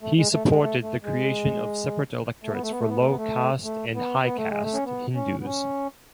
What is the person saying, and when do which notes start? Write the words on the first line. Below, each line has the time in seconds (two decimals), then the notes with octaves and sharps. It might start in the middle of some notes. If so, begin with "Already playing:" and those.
He supported the creation of separate electorates for low caste and high caste Hindus.
0.02 A3
0.17 G#3
0.33 A3
0.48 G#3
0.62 A3
0.82 A3
1.03 G#3
2.43 A3
2.53 B3
2.62 A3
2.71 B3
2.80 A3
2.89 B3
2.98 A3
3.07 B3
3.17 A3
3.64 A3
3.95 B3
4.24 B3
4.37 A3
4.50 G#3
4.62 A3
4.74 C#4
4.85 B3
5.15 C#4
5.41 B3
5.45 C#4